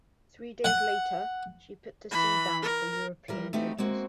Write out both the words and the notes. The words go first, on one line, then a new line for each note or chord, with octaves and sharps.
Three days later, she put to sea bound for European waters.
F#5
E3 B5
A#4
E3 G3 A#4
A3 C4 D#4 F#4 G4 B4
G#3 A#3 C4 F#4